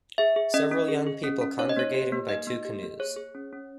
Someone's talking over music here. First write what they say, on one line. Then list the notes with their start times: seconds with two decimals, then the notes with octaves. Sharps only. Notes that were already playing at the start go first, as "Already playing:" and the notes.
Several young people congregating by two canoes.
0.18 G#4 E5
0.36 G#4
0.54 C#4 D#5
0.71 C#4
0.88 G#4
1.07 G#4
1.24 C#4
1.41 C#4
1.59 D#4 C#5
1.69 D#5
1.77 A#3 C#5
1.94 G4
2.12 A#3
2.29 D#4 D#5
2.47 A#3
2.65 G4
2.83 A#3
3.00 G#4 C#5
3.16 G#4
3.35 C#4
3.53 C#4